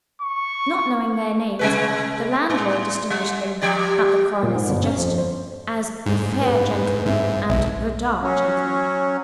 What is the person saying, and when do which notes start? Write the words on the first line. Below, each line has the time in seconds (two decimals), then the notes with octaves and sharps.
Not knowing their names, the landlord distinguished them, at the coroner's suggestion, as the fair gentleman, and the dark gentleman.
0.22 C#6
1.59 C3 G#3 B4
2.50 A2
3.10 G3
3.62 F3 G4 D5
4.43 A#2
4.55 G#2
4.69 G1
4.84 C#4
4.97 F2
5.18 C5
6.06 G#2
6.41 B4
7.07 G#2 E5
7.49 B1 E5
8.22 F#3 C#4